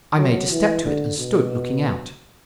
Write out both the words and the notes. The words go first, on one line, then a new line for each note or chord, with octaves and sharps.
I made a step to it, and stood looking out.
F#3
E3
D3
B2